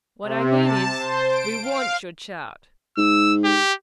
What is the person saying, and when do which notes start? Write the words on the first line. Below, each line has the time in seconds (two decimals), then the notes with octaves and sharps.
What I mean is, we want your chart.
0.22 C3
0.62 A5
0.99 C5
1.29 D7
1.62 F5
2.97 G#2 E6
3.44 G4